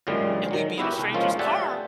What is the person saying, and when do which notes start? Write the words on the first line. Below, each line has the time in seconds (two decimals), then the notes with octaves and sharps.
and we'd be in a stranger's car
0.07 F#2 A#2 D3 E3 G3 G#3
0.51 D#3 F#3
0.78 B3 E4 F#4 G4
0.98 C2
1.14 F3 G#3 A#3 C#4 F4
1.39 A3 G4 D5 E5 F#5 G#5